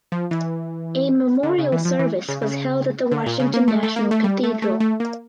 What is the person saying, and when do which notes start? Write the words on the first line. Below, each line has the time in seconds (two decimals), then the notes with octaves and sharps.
A memorial service was held at the Washington National Cathedral.
0.12 F3
0.31 E3
1.43 D3
1.58 C#3
1.72 E3
1.85 F3
1.99 E3
2.28 C#3
2.42 C#3
3.12 D3
3.26 A#2
3.40 C#3
3.54 A#3
3.68 A3
3.83 A3
3.96 A#3
4.11 A3
4.24 G3
4.43 A3
4.62 A3
4.80 A3
5.00 A#3